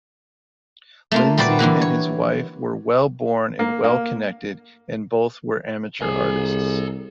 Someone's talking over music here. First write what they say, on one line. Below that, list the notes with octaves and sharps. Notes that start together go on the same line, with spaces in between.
Lindsay and his wife were well-born and well-connected, and both were amateur artists.
A3 A#3 F4
A#2 G3 C4 F#4 B4 D5
D3 E3 A#3 B4
C#5
A#3
A#3
C2 G#4 A4 G#5